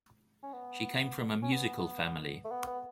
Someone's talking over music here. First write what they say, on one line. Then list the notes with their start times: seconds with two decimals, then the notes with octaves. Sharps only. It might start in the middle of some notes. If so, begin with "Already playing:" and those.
She came from a musical family.
0.43 C#4
0.53 B3
1.42 C#4
1.52 B3
2.44 A3
2.51 B3
2.67 B3